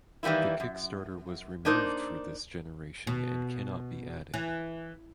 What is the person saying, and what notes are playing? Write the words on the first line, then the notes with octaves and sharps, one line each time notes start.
The kickstarter was removed for this generation and cannot be added.
D#3 E3 G3 A#3 E4
F#2
A#3 D4 D#4 A#4 C5
B2
E3